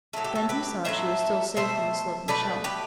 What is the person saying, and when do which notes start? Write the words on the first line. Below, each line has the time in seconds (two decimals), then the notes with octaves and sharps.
Then he saw she was still safe on the sloping shelf.
0.13 A2 F#3 A3 A4
0.24 G4
0.35 F#4 A4
0.49 G4 B4
0.85 A2 F#3 A3 C5 E5
1.57 B2 A3 C5 E5
2.28 B2 A3 B4 D5
2.64 G4 B4